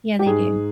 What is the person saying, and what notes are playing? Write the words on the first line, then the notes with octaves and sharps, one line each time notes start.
Yeah, they do.
G4
G#2 G#4